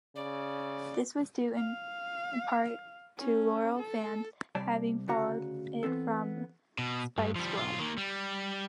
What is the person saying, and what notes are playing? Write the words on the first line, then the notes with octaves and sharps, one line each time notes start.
This was due in part to loyal fans having followed it from Spike's World.
C#3 D5
F5
C#4
A4
C2 C3 G3 D5 A5
D2 C#3 F#4 A#5
E3 B3 C4 A4
B2
G2
F3 G3
B1 F4
D#3 A#3
G3